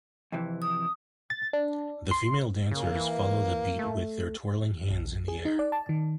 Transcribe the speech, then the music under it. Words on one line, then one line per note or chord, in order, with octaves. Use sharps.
The female dancers follow the beat with their twirling hands in the air.
F2 C3 E3
D#6
A6
D4
C6
C#3 A#3
E3
A3
A#1
G#4
D#4
D5
A5
D#3